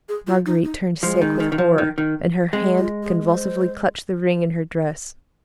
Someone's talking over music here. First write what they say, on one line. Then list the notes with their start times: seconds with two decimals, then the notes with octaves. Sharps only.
Marguerite turned sick with horror, and her hand convulsively clutched the ring in her dress.
0.09 G#4
0.27 F4
0.46 D#4
0.64 D#4
1.03 F3 G#3
1.22 D#3
1.40 D#3
1.52 D#3
1.58 F3
1.78 D#3
1.98 D#3
2.53 G#3 C4
2.78 F4
3.03 G#4
3.28 C5